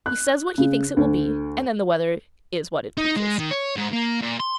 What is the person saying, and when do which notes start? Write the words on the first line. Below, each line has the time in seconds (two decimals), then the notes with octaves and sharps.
He says what he thinks it will be and then the weather is what it pleases.
0.06 F#6
0.58 C#3
0.97 D2
2.98 D#4
3.16 G#3
3.39 D#3
3.51 C#5
3.77 G#2
3.93 A#3
4.22 A#2
4.40 C6